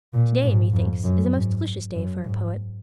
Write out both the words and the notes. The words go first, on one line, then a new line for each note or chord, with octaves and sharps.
Today, methinks, is a most delicious day for a poet.
A#2
G#2
F2
F#2
G#2
F#2
G#2